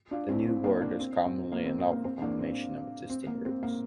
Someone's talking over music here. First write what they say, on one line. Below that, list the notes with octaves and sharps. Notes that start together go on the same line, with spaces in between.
The new word is commonly a novel combination of existing roots.
D4 F4
C4 E4
C4
A#3 D4
A#3 D4
C4
C4
A#3
C4
C4
A#3
C4
A#3 D4
C4
C4
A#3
C4
A#3